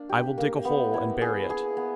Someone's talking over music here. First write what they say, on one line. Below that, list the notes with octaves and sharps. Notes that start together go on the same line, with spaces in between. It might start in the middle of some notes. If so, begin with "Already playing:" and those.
I will dig a hole and bury it.
Already playing: A#3 D4
G4
A#3
B3
E4
G#4
G#4
B3